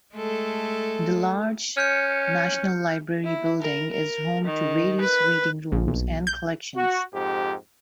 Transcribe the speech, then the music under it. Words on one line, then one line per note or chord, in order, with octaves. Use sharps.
The large National Library building is home to various reading rooms and collections.
G#3 A3 A4
C#4 F6 G6 C#7
E4
A#4
A#4
D#3
B4
A#1
B1
G6
F#4
F2 G#2 G4